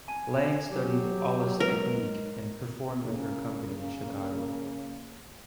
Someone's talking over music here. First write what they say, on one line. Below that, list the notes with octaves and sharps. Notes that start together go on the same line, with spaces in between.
Lang studied Allis technique and performed with her company in Chicago.
G#5 A5
F#3 G4
G#3 A#4 B4
C#3 A#3